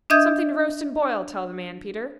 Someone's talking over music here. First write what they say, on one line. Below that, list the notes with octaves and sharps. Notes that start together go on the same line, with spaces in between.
"Something to roast and boil, tell the man, Peter."
D4 D#5 E5 D#6 G6 G#6